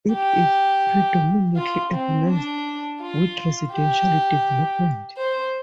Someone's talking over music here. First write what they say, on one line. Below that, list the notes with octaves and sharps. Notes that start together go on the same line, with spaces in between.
It is predominantly urbanised, with residential development.
G4
F4
C4
D4
F4
G4
C5